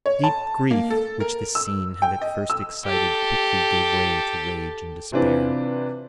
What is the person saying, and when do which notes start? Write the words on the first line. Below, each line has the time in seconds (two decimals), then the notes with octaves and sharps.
The deep grief which this scene had at first excited quickly gave way to rage and despair.
0.06 C#5
0.24 A5
0.71 A#3
0.90 A4
1.20 A#4
1.55 E6
2.02 G5
2.22 D#5
2.50 E6
2.86 G4 A4
5.12 C3 E3 C4 D4 F4 B4